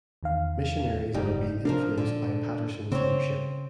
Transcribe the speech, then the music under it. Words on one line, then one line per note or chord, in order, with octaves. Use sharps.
Missionaries are being influenced by Patterson's leadership.
E2 D#3 F5
F#1 G3 D#4 G4
F3 D4 A#4 F5
A#2 D3
C#3 C4 C#5